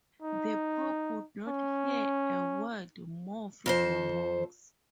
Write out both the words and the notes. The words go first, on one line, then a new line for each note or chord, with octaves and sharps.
The Pope would not hear a word more from the monks.
D#4
C#4
F2 A4 C5